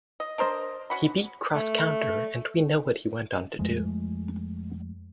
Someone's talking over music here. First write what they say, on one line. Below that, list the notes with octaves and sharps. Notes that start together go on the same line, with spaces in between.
He beat Cross Counter and we know what he went on to do.
D#5
D4 A#4 C5 D#5
C#4 F#4 B5
A3
F2 F3 G#3 A3